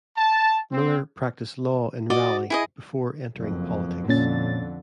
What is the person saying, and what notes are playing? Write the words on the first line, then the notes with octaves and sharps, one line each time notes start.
Miller practiced Law in Raleigh before entering politics.
A5
C4
F#4 D5 D#5
E4 G#4 D#5
F#1 F2
F2 A#2 D3 C#4 A6